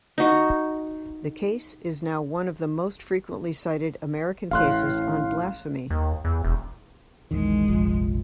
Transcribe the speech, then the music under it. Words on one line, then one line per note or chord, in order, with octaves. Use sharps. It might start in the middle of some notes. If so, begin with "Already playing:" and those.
The case is now one of the most frequently cited American cases on blasphemy.
D#4 F#4
A1 A2 F5 C6 F#6
D#2
E2
E1
A#1 E2 D#3 G#3
F1 A#1 F3